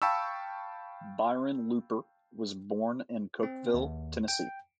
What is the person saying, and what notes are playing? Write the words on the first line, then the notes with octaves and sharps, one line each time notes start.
Byron Looper was born in Cookeville, Tennessee.
F5 G5 A5 B5 C#6 E6
C4
D#2
G5